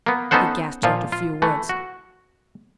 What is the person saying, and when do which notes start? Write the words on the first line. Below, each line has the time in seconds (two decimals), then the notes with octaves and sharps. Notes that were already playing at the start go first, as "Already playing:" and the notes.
He gasped out a few words.
0.06 A#3 B3
0.31 B3 C#4 D#4 A4 C5 F#5
0.83 A#2 F3 F4
1.12 F4
1.42 E3 A3
1.69 F#4